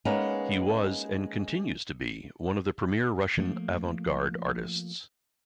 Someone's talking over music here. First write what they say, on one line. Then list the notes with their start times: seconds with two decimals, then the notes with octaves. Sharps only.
He was and continues to be one of the premier Russian avant-garde artists.
0.05 G#3 A#3 B3 C#4 D#4
3.37 F3 A3 A#3